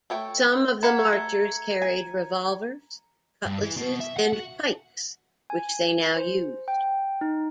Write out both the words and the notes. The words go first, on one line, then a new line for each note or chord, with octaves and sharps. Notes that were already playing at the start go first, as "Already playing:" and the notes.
Some of the marchers carried revolvers, cutlasses and pikes which they now used.
A3 C#5 G5
B4 F5 F#5 A#5 G#6 C#7
A3
G#5
G2
E3
B2
E5
F#5
F#4
G#5
C5
G5
D#4